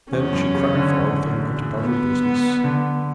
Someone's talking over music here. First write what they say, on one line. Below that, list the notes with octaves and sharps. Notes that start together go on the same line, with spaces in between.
Then she crept forth, and went about her business.
E2 C#4
F#2
C#3
D3
B3
D3